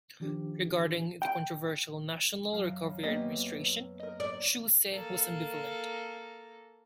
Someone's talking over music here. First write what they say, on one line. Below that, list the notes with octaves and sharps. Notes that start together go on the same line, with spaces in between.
Regarding the controversial National Recovery Administration, Shouse was ambivalent.
D#3 F3 D4 G4
G5
F#2 C#4 F5
A#3 B3 C#4 G4 D#5
E5
A#4 D#5
D5
A#3 A4